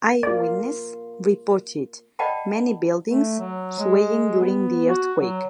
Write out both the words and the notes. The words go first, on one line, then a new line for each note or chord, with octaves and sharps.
Eyewitness reported many buildings swaying during the earthquake.
A#3 F4 D5
D5 D#5 F#5 G5 A5 B5
A3
F#3
G#3
B3
F#4
F#3